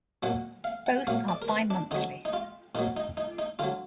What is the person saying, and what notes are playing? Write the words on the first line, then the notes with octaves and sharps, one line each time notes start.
Both are bi-monthly.
A#2 F#3 F#5
F5
F#5
A#2 F#3 F5
D5
A#4
B4
D4
D3 F#3 D#4
D#4
F4
A#2 F#3 D#4
D#4
D#4
D#4
D3 F#3 F4